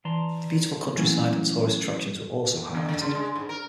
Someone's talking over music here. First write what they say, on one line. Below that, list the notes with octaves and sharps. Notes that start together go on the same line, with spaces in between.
The beautiful countryside and tourist attractions were also highlighted.
E3 D5 A5 A#5 C6
E3 F#3 A3 A#3 C#4 E4
D3
D3
C#3
G#3
G#2
A#4